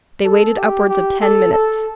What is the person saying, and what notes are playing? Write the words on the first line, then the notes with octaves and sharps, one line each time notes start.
They waited upwards of ten minutes.
A4
G4
G4
A4
A4